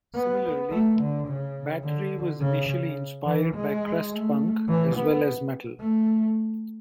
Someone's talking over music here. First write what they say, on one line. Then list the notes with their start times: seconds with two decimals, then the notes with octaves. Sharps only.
Similarly, Bathory was initially inspired by crust punk as well as metal.
0.15 B3
0.72 A3
1.00 D3
1.28 C#3
1.84 D3
2.41 C#3
2.69 C#3
3.26 E3
3.55 G#3
4.11 A3
4.68 E3
4.96 B3
5.80 A3